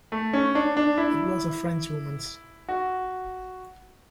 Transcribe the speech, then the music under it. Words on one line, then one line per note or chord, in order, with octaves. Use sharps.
It was a Frenchwoman's.
A3
C#4
D4
D4
E4
F#4